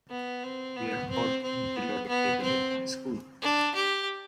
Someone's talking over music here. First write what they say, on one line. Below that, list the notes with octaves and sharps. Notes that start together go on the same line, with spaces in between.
We are taught the periodic table in high school.
B3
C4
B3
C4
C4
B3
B3
C4
D4
G4